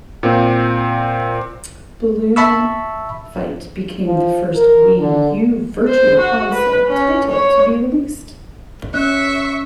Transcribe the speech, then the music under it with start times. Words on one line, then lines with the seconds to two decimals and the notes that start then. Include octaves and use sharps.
"Balloon Fight" became the first Wii U Virtual Console title to be released.
0.23 A#2 C4
2.36 E5 A5 B5 C#6 E6
4.07 F3
4.56 A#4
4.99 D3
5.89 C5
6.19 F#4
6.54 B4
6.88 C#4
7.30 C#5
8.94 C#4 E5 C#6 F#6